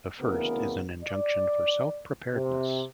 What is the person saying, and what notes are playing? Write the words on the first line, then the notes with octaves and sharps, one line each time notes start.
The first is an injunction for self-preparedness.
D2 C#3 E3 A#3 B3 A#4
D5
C3